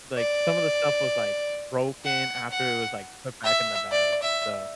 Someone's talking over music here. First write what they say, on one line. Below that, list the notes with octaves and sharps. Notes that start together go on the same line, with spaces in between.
like, some of the stuff was, like, broken after it was, like, put back in the bag, eh, so,
D5
F#5
F#5
E5
D5
E5